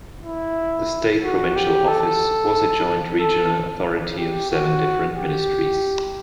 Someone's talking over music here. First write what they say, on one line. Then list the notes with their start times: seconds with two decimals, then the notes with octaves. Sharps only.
The State Provincial Office was a joint regional authority of seven different ministries.
0.24 E4
1.23 F#4
1.56 G4
1.88 A4
3.19 A4
4.18 G4
4.51 F#4
5.16 G4